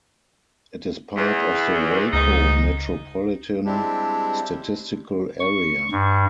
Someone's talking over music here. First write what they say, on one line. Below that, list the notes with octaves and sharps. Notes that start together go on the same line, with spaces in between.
It is part of the Waco Metropolitan Statistical Area.
E2
C#2 G#2 D#4
G3 G#3 C4 D4 E4 G4
C#6
G2